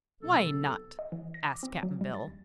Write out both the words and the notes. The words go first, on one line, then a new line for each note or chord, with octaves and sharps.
"Why not?" asked Cap'n Bill.
B1 C3 A4
D#5
E3
A#6
D6
C4
F#3
G3
A6
D#2